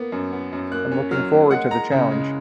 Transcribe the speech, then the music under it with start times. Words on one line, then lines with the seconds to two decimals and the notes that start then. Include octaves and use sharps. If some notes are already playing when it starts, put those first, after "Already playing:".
I'm looking forward to the challenge.
Already playing: A#3 B3
0.12 F#2
0.32 B3
0.52 F#2
0.72 A#3 F#6
0.92 C#4
1.11 F#3 F6
1.32 A#3
1.51 G#3 F#5
1.70 G#3 A#5
1.91 C#3
2.11 G#3